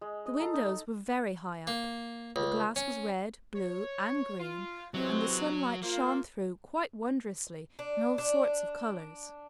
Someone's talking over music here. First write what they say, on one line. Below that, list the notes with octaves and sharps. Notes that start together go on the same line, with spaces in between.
The windows were very high up; the glass was red, blue, and green, and the sunlight shone through quite wondrously in all sorts of colors.
G#3
D#5
A4 A#5
D#4
A#3
C#2
C#4
C#5
F4
C3 E3 F#3 G#3 C4
A#3 F4 C5
D4
D4